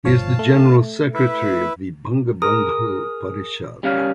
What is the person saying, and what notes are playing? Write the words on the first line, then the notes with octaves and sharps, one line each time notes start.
He is the General Secretary of the Bangabandhu Parishad.
G1 F3 C#5 F5 A5
A3
E4 B4 E5
G#4 A#4 D#6
G3 C#4 F5